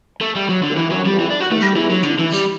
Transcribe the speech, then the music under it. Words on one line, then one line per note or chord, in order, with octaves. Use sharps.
There are no casualties.
A3
G3
F#3
D3
E3
F#3
G3
E3
D4
F#4
A3
G3
E3
F#3
D3
E3
G3